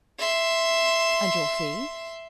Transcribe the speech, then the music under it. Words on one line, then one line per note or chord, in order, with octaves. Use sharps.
"And your fee?"
E5 C6